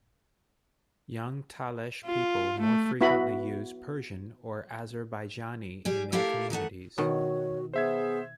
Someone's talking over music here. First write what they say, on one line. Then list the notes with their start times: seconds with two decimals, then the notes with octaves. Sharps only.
Young Talesh people more frequently use Persian or Azerbaijani in their communities.
2.06 F4
2.61 A3
3.01 B3 E4 F#4 B5
5.85 G3 G4 G#4
6.12 A3 E4 G4 A4 A#4 F5
6.50 D#3 E3 A3 F#5
6.98 B2 D#3 F#4 C#5
7.74 B3 G#4 C5 E5 G#6